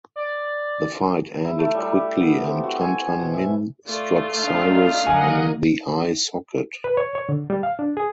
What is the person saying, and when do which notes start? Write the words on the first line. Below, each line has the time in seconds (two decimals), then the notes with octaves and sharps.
The fight ended quickly and Tun Tun Min struck Cyrus on the eye socket.
0.16 D5
1.45 E4
1.59 A3
1.75 G3
1.94 G4
2.20 B3
2.44 C4
2.64 F#4
2.81 G#5
3.05 G#5
3.19 B2
3.34 E5
3.86 A3 F4 D5
4.40 D4 D#4 F5
5.06 D3 F#3 A#4 D#5 F#5 G#5
6.84 B4
6.97 C#5
7.15 C#5
7.29 D3
7.50 G3
7.63 F5
7.79 D4
7.97 G#4